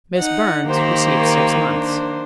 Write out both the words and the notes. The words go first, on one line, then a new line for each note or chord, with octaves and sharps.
Miss Burns received six months.
D#4 F#5
D#3 A#3 G4 C5
D4 C5